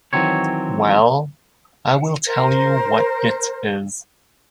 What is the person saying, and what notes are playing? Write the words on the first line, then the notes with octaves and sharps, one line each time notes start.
Well, I will tell you what it is.
D#3 E3 F#3 C4 C#5
A#4 C5